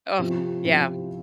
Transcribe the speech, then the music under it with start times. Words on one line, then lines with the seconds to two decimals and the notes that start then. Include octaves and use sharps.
Oh, yeah.
0.19 C3 F3 C4 E4
0.63 C3 F3 C4 E4